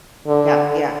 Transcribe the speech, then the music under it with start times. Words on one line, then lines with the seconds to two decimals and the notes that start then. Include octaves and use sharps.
Yeah, yeah.
0.27 D3